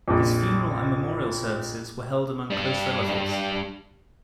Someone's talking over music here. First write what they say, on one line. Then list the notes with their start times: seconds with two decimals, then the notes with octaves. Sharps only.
His funeral and memorial services were held among close relatives.
0.08 A#1 F2
2.50 G3 D4